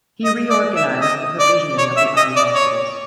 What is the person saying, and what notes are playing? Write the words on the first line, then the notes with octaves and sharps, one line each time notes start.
He reorganized the provisioning of the army hospitals.
D#5
D5
E5
D#5
D5
C#5
E5
D#5
D5
C#5